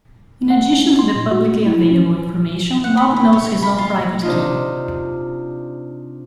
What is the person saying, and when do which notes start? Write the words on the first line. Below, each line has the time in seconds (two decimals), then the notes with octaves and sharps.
In addition to the publicly available information, Bob knows his own private key.
0.50 F#5
0.73 C#4
0.99 C6
1.16 A#2
1.31 F#4
1.46 A3
1.66 E4
1.91 C#4
2.84 F#5
2.97 B5
3.17 B5
3.33 C#5
3.63 B5
3.78 F4
4.23 C3 D4 D#4 F4